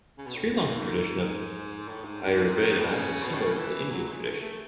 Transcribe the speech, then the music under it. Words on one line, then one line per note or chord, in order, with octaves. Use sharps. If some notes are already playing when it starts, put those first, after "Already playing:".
The Sri Lankan tradition of Ayurveda is similar to the Indian tradition.
C#3
B2
A2
F#2
G#2
G#2
A2
G#2
F#2
G#2
G#2
D#3
B2
C#3
B2
A2
C#3
E3
F#3
G#3
A3
A3